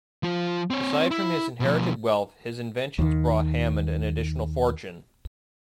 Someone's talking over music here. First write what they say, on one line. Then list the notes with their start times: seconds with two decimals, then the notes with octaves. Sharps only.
Aside from his inherited wealth, his inventions brought Hammond an additional fortune.
0.23 F3 F4
0.70 C4 C#5
1.11 E4
1.60 B2 F3
2.99 D#2 D#3